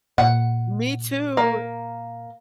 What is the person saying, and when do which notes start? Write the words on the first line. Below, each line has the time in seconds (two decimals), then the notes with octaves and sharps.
Me too.
0.18 A#2 F#5
1.37 A#3